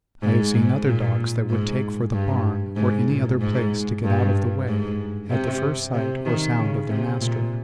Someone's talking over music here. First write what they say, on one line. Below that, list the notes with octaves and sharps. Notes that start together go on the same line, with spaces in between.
I have seen other dogs that would take for the barn or any other place to get out of the way at the first sight or sound of their master.
G#2
G#2
A#2
G#2
G2
G#2
A#2
G#2
G2
G#2
C3
C3
D#3
C#3
C3
A#2